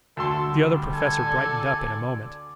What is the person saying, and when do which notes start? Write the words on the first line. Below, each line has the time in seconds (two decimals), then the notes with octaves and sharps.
The Other Professor brightened up in a moment.
0.17 D2 A4 C6
0.50 G3
0.94 A4 G#5
1.26 D5